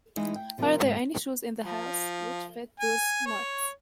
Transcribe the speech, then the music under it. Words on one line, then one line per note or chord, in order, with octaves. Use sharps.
Are there any shoes in the house which fit those marks?
E3 G#3 D#4 E4
G5
C3 F3 G3 C4 F4 A#4
D2 G#2 C3 G#3
F3
G#5
C#5